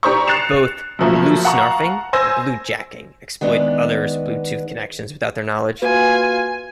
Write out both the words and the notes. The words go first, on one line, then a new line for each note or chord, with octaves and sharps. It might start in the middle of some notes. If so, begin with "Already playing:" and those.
Both Bluesnarfing and Bluejacking exploit others' Bluetooth connections without their knowledge.
D4 G4 C5 A#5 C#6
F#6 A6 C7 C#7 E7 F7
F#2 B2 F3 A3 A#3
F5 F#5 A5 A#5 C#6
C5 G#5 E6 A#6
D#3 G#3 B3 D4
A#3 F4 F#4 B4 G#5